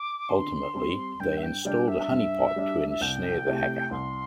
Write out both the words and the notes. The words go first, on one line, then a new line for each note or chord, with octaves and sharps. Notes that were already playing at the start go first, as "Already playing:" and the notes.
Ultimately, they installed a honeypot to ensnare the hacker.
Already playing: D6
D3 C6
G3 C4
G2 G5
E5
G5
G3 D4 G5
E5
G2
G3 D4
E5
C2 G5
C3 A3 E4 G4
C2 C6